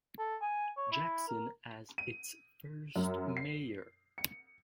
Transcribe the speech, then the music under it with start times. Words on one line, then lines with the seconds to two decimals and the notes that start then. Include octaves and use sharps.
Jackson as its first mayor.
0.19 A4
0.41 G#5
0.77 C#5
0.91 E4
1.28 A#4
1.98 D#7
2.96 F#2
3.37 C7
4.18 C#7